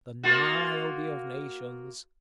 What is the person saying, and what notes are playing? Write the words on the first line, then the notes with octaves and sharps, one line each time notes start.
The Niobe of nations!
A#3 F4 F#4